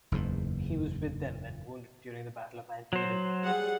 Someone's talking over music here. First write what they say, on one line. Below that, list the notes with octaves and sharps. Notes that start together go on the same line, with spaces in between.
He was with them when wounded during the Battle of Antietam.
F#1 E2 G#2
F#3 C5
G3 G#4 F#5